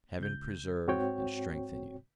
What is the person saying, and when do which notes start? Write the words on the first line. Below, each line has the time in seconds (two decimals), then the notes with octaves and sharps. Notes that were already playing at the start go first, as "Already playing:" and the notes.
Heaven preserve and strengthen you!
0.20 C#2 G6
0.87 G#2 C4 F#4 C#5 G5